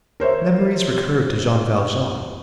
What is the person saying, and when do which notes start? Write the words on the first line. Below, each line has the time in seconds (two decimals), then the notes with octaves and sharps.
Memories recurred to Jean Valjean.
0.20 A#4 C5 C#5 E5